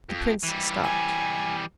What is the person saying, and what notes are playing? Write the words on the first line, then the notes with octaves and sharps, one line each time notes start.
The prince stopped.
F2
E3 G3
G#5